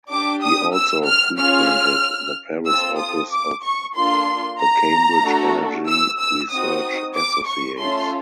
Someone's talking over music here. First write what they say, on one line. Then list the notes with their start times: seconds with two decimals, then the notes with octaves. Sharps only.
He also frequented the Paris office of the Cambridge Energy Research Associates.
0.11 D4 G4 D6
0.43 D#6
0.75 E6
1.06 F6
1.38 C#4 F4 G#4 F6
2.67 C4 F4 A4 E6
2.98 D#6
3.31 D6
3.63 C#6
3.95 A#3 D4 F4 A4 C6
4.60 A#5
5.23 A3 D4 F#4 A4
5.88 E6
6.20 E6
6.51 C4 D#4 F#4 D#6
7.16 D6
7.47 C#6
7.80 A3 C#4 F4 A4 C6